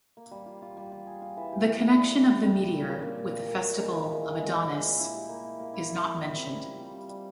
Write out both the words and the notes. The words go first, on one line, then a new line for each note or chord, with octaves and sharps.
The connection of the meteor with the festival of Adonis is not mentioned.
A#3
G3
F4
F4
G3
F4
G#4
F4
E3
G4
E3
G4
G3
C4
C4
G3
G3
A#2
A#2
A#2
A#2
A#2
A#2
A#2
G#3
F3
E4
E4
G#3
F3
G#3
A#2
E4
G4
A#3
E4
A#3
E4
E4
E4
G3
C4
G3
F4
G3
G3
G3